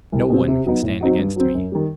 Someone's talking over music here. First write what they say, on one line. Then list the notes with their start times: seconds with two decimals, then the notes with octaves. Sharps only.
No one can stand against me.
0.12 C2
0.30 B2 G3 C4
0.48 C3
0.65 F#3 B3 D#4
0.83 A2
1.01 F#3 C4 D#4 F#4
1.19 G2
1.36 F#3 C4
1.54 F#2
1.72 D#3 G3